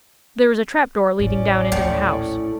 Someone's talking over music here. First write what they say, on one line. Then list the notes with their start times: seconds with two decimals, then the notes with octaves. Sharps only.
There was a trap-door leading down into the house.
1.19 A1 F2 C#4 D5
1.72 A#1 D#2 A2